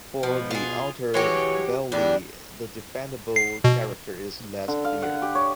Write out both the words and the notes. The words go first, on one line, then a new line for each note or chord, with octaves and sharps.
For the outer bailey the defendable character is less clear.
B2 F3
F4 G#4
E3 G#3 F#4 G4 C#5
E2 G3 D4
C7
B2
D3
F5
F#5
G4
C#5